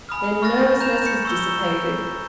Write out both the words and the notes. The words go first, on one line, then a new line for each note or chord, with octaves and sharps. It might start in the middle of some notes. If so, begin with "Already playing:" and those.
Their nervousness was dissipated.
G#5 B5 D#6 F6
C#6 F6 F#6 A6 A#6
A#5 G6 E7 F7
C#7
C#6 E6 G7
A#5